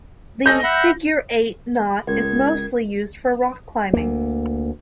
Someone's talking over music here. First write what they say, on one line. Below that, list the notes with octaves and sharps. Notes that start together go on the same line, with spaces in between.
The figure-eight knot is mostly used for rock climbing.
C#4 A4 D#5 G6 A#6
E5 F#5 B5
C#2 A#4 G#6
D2 A#3